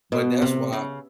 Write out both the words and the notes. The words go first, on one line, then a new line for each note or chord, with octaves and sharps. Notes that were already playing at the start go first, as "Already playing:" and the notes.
But that's why
B2
C3
C#3